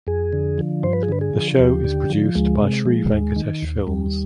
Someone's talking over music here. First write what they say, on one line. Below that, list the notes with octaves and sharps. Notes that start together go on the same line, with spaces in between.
The show is produced by Shree Venkatesh Films.
F2 G#4
D3
F3
G2 C5
B4
G#4
D3 B4
G#4
F3
D#2 G4
D3
F3
D2 G#3
C3
F3
D#2
D#3
D#2
D#2 G3